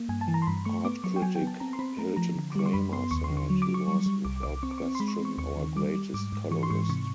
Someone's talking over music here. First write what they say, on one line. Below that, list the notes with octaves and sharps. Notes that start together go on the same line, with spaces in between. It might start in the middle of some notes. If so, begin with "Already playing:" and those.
Art critic Hilton Kramer said, He was, without question, our greatest colorist...
Already playing: A#3
G2 G#5
A5
E3
A#5
C6
G2 B5
A3 C#6
B3 D6
F#3 C#6
G5
F#3 G#5
G5
B3
A5
C4 A#5
C6
C4 B5
A3 A#5
F3 A#5
D3
D6
G3 C#6
C6
F#2 B5
B3 C6
D#2 C#6
C6
D3
C#6
F#3
D6
F#3
C#6
G3
G3
C2 D6
C2 D6
C4 C#6
D6
C4 C#6
C6
G#3 B5
C#6
C6
C4
C#6
D#2 C#6
D#3
G3 D6
G3
G#2 D6
G#2
E3 C#6
C6
G#2 C#6
C3 C#6